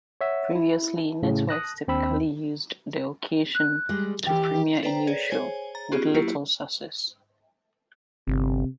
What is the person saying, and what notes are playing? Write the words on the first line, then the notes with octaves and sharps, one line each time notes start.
Previously, networks typically used the occasion to premiere a new show, with little success.
C#5 E5 F#5
E4
A2 C#3
D#6 F#6 A#6
D#2 C4 D4 B5 E6
F#6
G3 G#3
E3 G4 G5
A4 B4 C5 D5 G5 A#5
G#4 C#5 D5
G#4 C5 C#5 G#5
A#5 A6
B3 C#4 F4 G4 G#4
F#3 A#3 E4 G4 C7 C#7
G1 C3